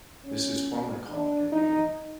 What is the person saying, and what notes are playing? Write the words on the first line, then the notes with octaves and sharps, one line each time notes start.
This is formally called an inning.
C#4
D4
D#4